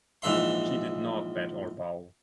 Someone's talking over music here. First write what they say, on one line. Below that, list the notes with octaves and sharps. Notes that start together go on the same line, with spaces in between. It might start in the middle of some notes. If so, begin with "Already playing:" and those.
She did not bat or bowl.
A#1 G#2 E3 E5 C6